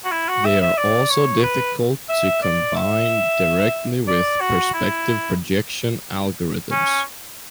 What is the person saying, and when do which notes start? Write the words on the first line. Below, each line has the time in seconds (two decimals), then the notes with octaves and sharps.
They are also difficult to combine directly with perspective projection algorithms.
0.05 F#4
0.12 E4
0.28 F#4
0.45 E5
0.61 E5
0.78 D5
1.10 C#5
1.43 B4
2.09 E5
2.42 D5
2.76 E5
4.07 D5
4.40 F#4
4.74 E4
6.71 C#4